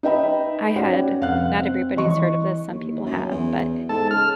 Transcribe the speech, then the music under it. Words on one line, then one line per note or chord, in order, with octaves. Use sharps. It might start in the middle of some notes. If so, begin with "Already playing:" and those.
I had, not everybody's heard of this, some people have, but
D#4 B4 D#5 E5 G5 B5
C#4 F#4 D5 G5
F1 F5 F#5 F#6
C4
E3 D#5 C#6
D#2
F#2
E2
G#2 A4 A5
C#3 F6